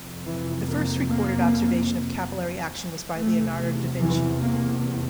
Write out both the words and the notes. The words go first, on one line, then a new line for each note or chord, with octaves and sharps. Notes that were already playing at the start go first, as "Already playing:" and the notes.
The first recorded observation of capillary action was by Leonardo da Vinci.
Already playing: F2 C3
E3
A#3
A#3
E2 C3 A3
E3
A#3